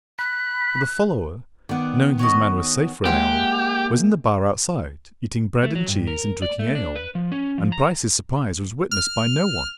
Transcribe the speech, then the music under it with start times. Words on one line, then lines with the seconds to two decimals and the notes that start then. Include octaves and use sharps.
But the follower, knowing his man was safe for an hour, was in the bar outside eating bread and cheese and drinking ale, and Bryce's surprise was witnessed by no one.
0.19 B5 F#6
1.69 D#3 B3 D5 F#5
2.19 C#4 F#4 D#5
3.06 G#3 A#3 E4 G4 C5 F#5
5.63 A3
5.75 F#3
5.88 G2
6.07 A#4
6.42 D5
6.59 A3
6.75 D4
6.96 B4
7.15 F3
7.32 C#4
7.58 F3
7.72 A#5
8.91 F6